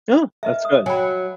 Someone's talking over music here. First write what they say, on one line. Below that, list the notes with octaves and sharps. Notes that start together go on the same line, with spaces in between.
Oh, that's good,
B4 D#5 E5
D#6
F#3 G#5 B5